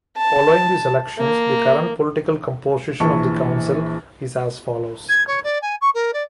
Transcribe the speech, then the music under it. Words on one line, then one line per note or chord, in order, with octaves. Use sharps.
Following these elections the current political composition of the council is as follows.
A5
A#3
A#1 E3 A5 C#6
G#6
C#5
D5
G#5
C#6
A#4
D5